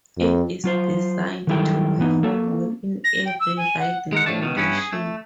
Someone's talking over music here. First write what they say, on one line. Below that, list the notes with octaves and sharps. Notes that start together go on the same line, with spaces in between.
It is designed to perform well in every riding condition.
F2
F#3 F4 C5
D#3 F#3 G3 E4 A4 G5
E3 B3 D#4
A#3 A4
A#6
G5
E6
G#5
F#5
G#3 A#4 F#5
A2 F3 A3 D4 A5
C#2 B2 D#3
G2 B3 C#4 E4
G#4
A3